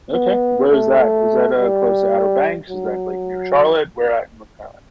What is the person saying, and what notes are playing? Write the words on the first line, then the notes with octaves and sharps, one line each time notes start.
Okay, where is that? Is that, uh, close to Outer Banks? Is that, like, near Charlotte? Where at in North Carolina?
B3
A3
A3
G3
F#3